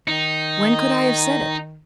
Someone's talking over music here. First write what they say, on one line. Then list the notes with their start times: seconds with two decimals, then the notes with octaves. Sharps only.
"When could I have said it?"
0.08 D#3 D#4